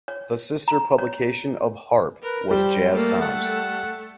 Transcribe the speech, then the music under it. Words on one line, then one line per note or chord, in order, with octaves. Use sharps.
The sister publication of "Harp" was "Jazz Times".
C#5
A#5
C#5
A#4 B4
G3 G4 C5
A3 A#3 A4
F#5